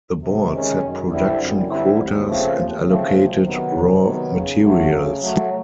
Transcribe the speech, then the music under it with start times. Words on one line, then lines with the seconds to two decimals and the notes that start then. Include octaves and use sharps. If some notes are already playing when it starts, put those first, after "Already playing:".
The board set production quotas and allocated raw materials.
0.22 C3
0.52 D#3 G#3 C#4
0.80 F#2
1.10 D3 G3 C4 E4
1.39 F#2
1.69 D3 G3 C4 E4
1.97 D#2
2.27 C#3 F3 A3 C4
2.56 D#2
2.85 C#3 F3 A3 C4
3.15 C3
3.44 D#3 F#3 B3
3.74 C3
4.02 D#3 F#3 B3
4.32 C#3
4.62 F#3 A3
4.91 C#3
5.21 F#3 A3